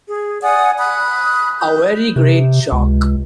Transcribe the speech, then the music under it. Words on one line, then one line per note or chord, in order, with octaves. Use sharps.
A very great shock.
G#4
D5 F#5 G#5 D#6
B5 D#6 F#6
G6
C3
C#2